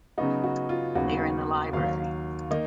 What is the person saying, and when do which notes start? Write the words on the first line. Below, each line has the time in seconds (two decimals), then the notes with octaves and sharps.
They are in the library.
0.18 C#3 F#3 B3 D#4 F#4
0.44 F#4
0.69 F4
0.95 D#2 C#3 F#3 B3 F#4
1.73 D#2 D#3 F#3 F5
2.50 D#3 A#3 D#4